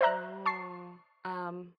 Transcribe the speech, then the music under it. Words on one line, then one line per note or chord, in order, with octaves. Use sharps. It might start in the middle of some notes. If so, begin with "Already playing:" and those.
Oh. Um
C5 D5 E5 A#5 F#6
A5 C#6 C7